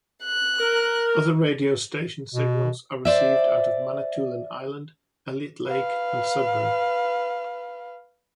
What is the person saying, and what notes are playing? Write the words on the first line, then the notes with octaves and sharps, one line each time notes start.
Other radio station signals are received out of Manitoulin Island, Elliot Lake and Sudbury.
F#6
A#4
B2
C5 D5 E5
B4 F5